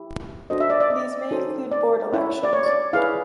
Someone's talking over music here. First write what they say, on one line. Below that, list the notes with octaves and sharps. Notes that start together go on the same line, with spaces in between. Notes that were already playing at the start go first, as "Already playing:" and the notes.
These may include board elections.
Already playing: E4 G4
D4 F#4 A4 C5 D#5
E5
D5
D5
D#5
D#4 F#4 A4 C5
D5
C#4 E4 A4 C#5
D5
C#5
D5
E4 G#4 B4 F5